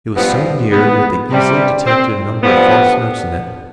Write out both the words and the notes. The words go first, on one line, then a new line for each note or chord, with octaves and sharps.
It was so near that they easily detected a number of false notes in it.
G2 F3 B3
B3
C3 G3
C4
G2 F3 B3